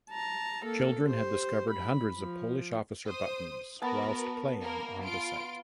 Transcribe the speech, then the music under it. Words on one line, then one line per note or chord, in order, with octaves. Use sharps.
Children had discovered hundreds of Polish officer buttons whilst playing on the site.
A5 A#5
A#3 A4
G4 C5
B5
F3
C5 D#6
B3 F#4 A#4 B4 A5
A#3 A#4
F4 C6 D7